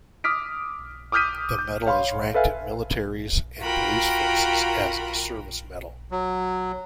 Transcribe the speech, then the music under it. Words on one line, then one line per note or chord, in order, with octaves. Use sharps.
The medal is ranked in militaries and police forces as a service medal.
D6 D#6 F6 B6 D7
D6 D#6 F6 G6 B6 D#7
G6
C#5 F5 B5 C6
A4 B4 E5 F5 G#5
F4 F#4 A#4 G5 B5
F#3